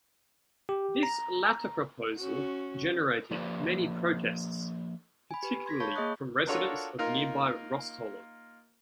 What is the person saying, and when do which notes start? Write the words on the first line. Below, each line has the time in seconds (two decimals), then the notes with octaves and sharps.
This latter proposal generated many protests, particularly from residents of nearby Rhostyllen.
0.69 G4
1.03 A#5
2.18 C#4 F#4
3.31 F3 A#3 G4 B4 D5
5.31 G#5 B5
5.43 G4 B4
5.66 C6 G#6 A#6 B6
5.80 C#5 F5 A5 B5 C#6 G6
5.95 A#3 G#4 D#5 C#6 D#6 F#6
6.47 D4 F4 F#4 A4 A#4 C#5
6.99 A#3 D#4 F4 A#4